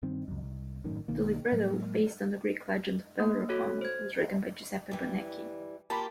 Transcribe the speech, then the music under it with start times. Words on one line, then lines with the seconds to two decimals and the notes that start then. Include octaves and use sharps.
The libretto, based on the Greek legend of Bellerophon, was written by Giuseppe Bonecchi.
0.03 G2 D#3 C4
0.28 C#2 F#2
0.43 C2
0.84 G#1 F#2 A2 D#3
1.08 B1 B2 D#3 A#3
1.52 A2 F#3 G#3 A#3
3.20 A#3
3.49 F#4 A4 C#5
3.81 C5 G#6
4.91 E3 G3
5.90 A#3 F4 G4 A5 B5